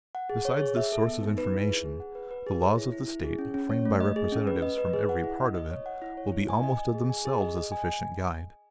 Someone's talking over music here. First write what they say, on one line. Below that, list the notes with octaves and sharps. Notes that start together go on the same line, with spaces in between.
Besides this source of information, the laws of the State, framed by representatives from every part of it, will be almost of themselves a sufficient guide.
F#5
G#4
C#5
G#4
E5
A4
B3
D#4
B4
E4
G#4
G#4
F#5
B4
B4
G#4
C#5
E4
E4
E4
G#4
C#4
C#4
C#5
A3
D#5
G#4
C#4
B4
D#5
B4
G#4
F#5
E4
D#5
D#5
C#5
F#5
E4
C#5
E4
G#5
D#5
D#5
G#4
G#5
G#4
D#5
D#5
G#5